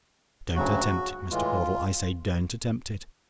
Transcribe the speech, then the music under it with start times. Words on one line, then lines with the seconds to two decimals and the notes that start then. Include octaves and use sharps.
Don't attempt it, Mr. Caudle; I say don't attempt it.
0.55 D2 C#3 F#3 F#4
1.31 A2 E3 G#3 F4